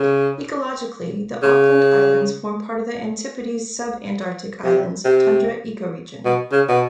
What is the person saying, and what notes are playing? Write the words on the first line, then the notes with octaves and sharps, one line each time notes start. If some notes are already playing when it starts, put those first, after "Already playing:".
Ecologically, the Auckland Islands form part of the Antipodes Subantarctic Islands tundra ecoregion.
Already playing: C#3
C#3
C3
C3
B2
C#3
B2